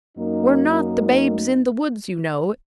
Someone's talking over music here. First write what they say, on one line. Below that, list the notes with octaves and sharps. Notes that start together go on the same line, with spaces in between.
We're not the 'Babes in the Woods,' you know.
F#2 A#3 D#4